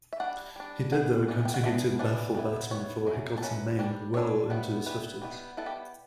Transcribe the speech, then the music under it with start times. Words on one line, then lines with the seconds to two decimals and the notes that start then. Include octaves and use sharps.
He did, though, continue to baffle batsmen for Hickleton Main well into his fifties.
0.13 E5
0.20 G3 D4 F#5
0.56 G3 D4
0.92 E3 B3 D4 F#5
1.28 E3 B3 D4
1.45 G5
1.54 F#5
1.63 E3 B3 D4 E5
1.99 E3 B3 D4
2.35 G3 B3 E4
2.71 G3 B3 E4 C#5
3.07 F#3 C#4 E4
3.38 A4
3.42 F#3 C#4 E4 B4
3.79 G3 D4
4.14 G3 D4 C#5
4.50 G3 B3 E4
4.86 G3 B3 E4 B4
5.22 G3 B3 E4
5.57 G3 B3 E4 A4
5.66 G4